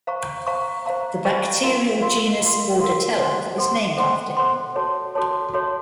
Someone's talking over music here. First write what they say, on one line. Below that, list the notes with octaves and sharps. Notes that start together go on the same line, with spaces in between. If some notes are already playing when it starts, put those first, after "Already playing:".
The bacterial genus "Bordetella" is named after him.
C5 F5 A#5 C#6
C5 F5 A#5 C#6
C5 F5 A#5 C#6
C5 F5 A#5 C#6
F4 A#4 F5 C6
F4 A#4 F5 C6
F4 A#4 F5 C6
F4 A#4 F5 C6
A4 C5 F#5 C6
A4 C5 F#5 C6
A4 C5 F#5 C6
A4 C5 F#5 C6
F#4 A4 C#5 A5
F#4 A4 C#5 A5
F#4 A4 C#5 A5